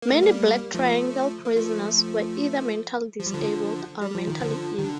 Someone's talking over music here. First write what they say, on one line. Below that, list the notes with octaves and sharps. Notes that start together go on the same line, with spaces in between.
Many black triangle prisoners were either mentally disabled or mentally ill.
A#3
A3
G3 A#3
F3 A3
A#3
F3 A3
F3
G3
D3 F3
G3
F3
D#3
D3 F3
D#3
D3